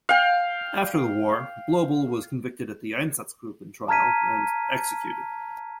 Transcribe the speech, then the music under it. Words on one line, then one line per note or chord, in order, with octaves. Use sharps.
After the war, Blobel was convicted at the Einsatzgruppen Trial and executed.
F5 G5
A5 A#5 F6 G#6 B6 D#7